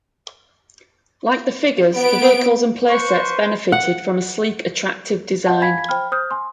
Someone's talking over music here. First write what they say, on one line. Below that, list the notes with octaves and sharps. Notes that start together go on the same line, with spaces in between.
Like the figures, the vehicles and playsets benefited from a sleek, attractive design.
B3 D7
B4 C5 C#6
F#5
D#5 F#5 A5
F5 G#5 B5 G#6 B6
C5 G5 B5 F6
C5 D#6 F6 G6
G#5 C6